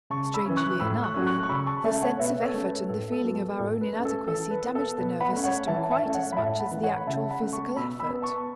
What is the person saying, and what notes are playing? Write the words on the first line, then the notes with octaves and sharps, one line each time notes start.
Strangely enough, the sense of effort and the feeling of our own inadequacy damage the nervous system quite as much as the actual physical effort.
C#3 A5 C#6
B5 E6
E3 C#4
C#6 F#6
A2 B5 E6
C#6 F#6
F#3 A3 C#4
C#6 F#6
C#6
C#3 B5 E6
A5 C#6
A3 C#4 E5 A5
C#5 F#5
C#5
B2 B4 E5
A4 C#5
A3 C#4
B4
A2 A4
A4
F#3 B3
A4
A2 A4
B4
A3 C#4
A4
E3 A4
B4
B3
A4
B2 B4
F#5 B5
A3 C#4
C#5 F#5
E3 E5 A5
E5 A5
A3 C#4
C#5 F#5
B5
A2 E5 A5
F#5 B5
E3
A3
C#5 F#5
B5
C#3 E5 A5
F#5 B5
A3 C#4
A5 C#6
B2 B5 E6
B5 E6
B3
A5 C#6